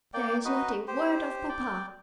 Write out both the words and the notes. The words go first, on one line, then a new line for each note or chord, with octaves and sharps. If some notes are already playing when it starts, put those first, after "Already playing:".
"There is not a word of papa!"
A#3 D5 G5
D#4 F#4 B4 D#5
G4 C5
D5 G5